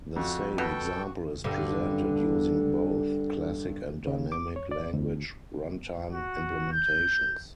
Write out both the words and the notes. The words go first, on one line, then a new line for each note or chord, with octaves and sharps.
The same example is presented using both classic and Dynamic Language Runtime implementations.
F2 F#4
B2 F#4 A4 G5
G2 D3
C#3
D6
C#5
D5
D2
F#4
G6